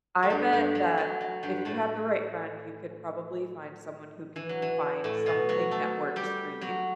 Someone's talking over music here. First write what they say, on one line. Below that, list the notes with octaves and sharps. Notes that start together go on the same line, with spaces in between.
I bet that if you have the right friend, you could probably find someone who can find something that works for you.
A3
G2 G3
G2 G3
F#3
F#3
F#3
G2 G3
A2 A3
E3
F#3
E3
A2 A3
B2 B3
F#3 F#4
A3 A4
G3 G4
F#3 F#4